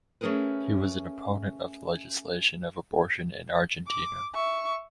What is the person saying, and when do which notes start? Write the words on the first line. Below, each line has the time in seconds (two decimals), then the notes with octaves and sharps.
He was an opponent of the legalization of abortion in Argentina.
0.21 A3 C#4 D#4 G#4 A#4 B4
3.87 D6
4.34 E5 C#6